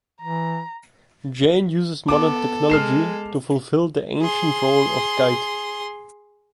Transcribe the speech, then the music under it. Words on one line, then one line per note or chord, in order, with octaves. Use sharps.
Jane uses modern technology to fulfill the ancient role of guide.
E3 A#5
B3 A4 D6
G#3 F6 C7 E7
G#4 C6